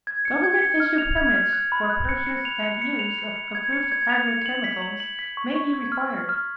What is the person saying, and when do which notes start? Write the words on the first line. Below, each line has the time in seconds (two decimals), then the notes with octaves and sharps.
Government-issued permits for purchase and use of approved agrichemicals may be required.
0.07 G#6
0.25 C#7
0.44 G#6
0.62 C#7
0.80 F6
0.98 F7
1.17 G#6
1.35 F6
1.53 F#6
1.72 B5
1.90 F#6
2.09 C#7
2.27 C#7
2.45 F7
2.63 C#7
2.82 C#7
2.99 F7
3.18 C#7
3.36 C#7
3.55 G#6
3.73 C#7
3.92 G#6
4.10 F7
4.28 C#7
4.46 F#7
4.64 B6
4.82 F#7
5.00 F#7
5.19 B6
5.37 C#6
5.56 C#6
5.73 G#6
5.92 F6
6.10 F6
6.29 F6